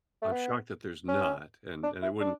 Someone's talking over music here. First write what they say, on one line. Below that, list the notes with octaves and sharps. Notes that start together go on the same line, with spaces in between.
I'm shocked that there's not, and and it wouldn't
A3
B3
C#4
D4
E4
D4